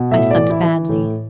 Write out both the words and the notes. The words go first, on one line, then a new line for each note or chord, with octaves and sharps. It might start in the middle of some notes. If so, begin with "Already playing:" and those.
I slept badly.
Already playing: B2
A2 E5
D5
E3
E4
E3
A2